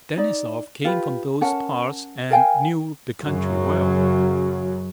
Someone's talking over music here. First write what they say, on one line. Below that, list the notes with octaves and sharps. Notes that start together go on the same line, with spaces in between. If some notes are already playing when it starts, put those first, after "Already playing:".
Denisov came from those parts and knew the country well.
D#4 D5
F4 G4 B4
C#4 A#4 F#5 A5
A#4 F5 G5 G#5
F#2 C#3 F#3